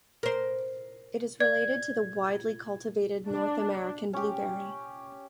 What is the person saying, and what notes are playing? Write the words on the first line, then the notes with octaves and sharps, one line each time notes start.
It is related to the widely cultivated North American blueberry.
A#4 C5
D5 G#6
D4
C#4 G4